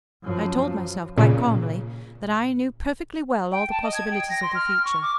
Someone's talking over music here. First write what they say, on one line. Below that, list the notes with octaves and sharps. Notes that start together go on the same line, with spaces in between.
I told myself, quite calmly, that I knew perfectly well all the possibilities of the future.
F#2 F3
A#2 C#3
G5
A5
D#5
G#6
G5
A#6
C6
F6
C#6
D6